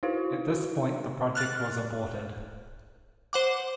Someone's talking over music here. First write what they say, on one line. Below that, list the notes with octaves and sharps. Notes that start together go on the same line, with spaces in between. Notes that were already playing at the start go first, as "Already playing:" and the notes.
At this point the project was aborted.
D#4 E4 F#4 B4 F5
F6 F#6 A6
C5 F#5 D6